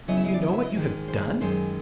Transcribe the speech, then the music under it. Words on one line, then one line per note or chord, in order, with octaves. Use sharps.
Do you know what you have done?
C#3 F#3 B3 E4 D#5
E5
D#5
D5
D#5
E5
D#5
G#2 D#3 G#3
C5
F#2 D#3 G#3 C5